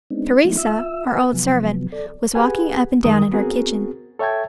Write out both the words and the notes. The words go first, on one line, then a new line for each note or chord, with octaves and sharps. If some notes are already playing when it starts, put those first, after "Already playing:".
Teresa, our old servant, was walking up and down in her kitchen.
G#3 B3 C4 D4 D#4
F3 G#3 A3 B3 D#4 E4
F4 E5 E6
B4 F#5 G#5 A5
C3 F3 F#3 B3
A4 D5
G4 G#4 B4 F#5 G#5
F#2 D#3 G#3 A#4 D#6
B3 C4 F#4 G#4 A#4
A4 C#5 E5 G5 A5 G#6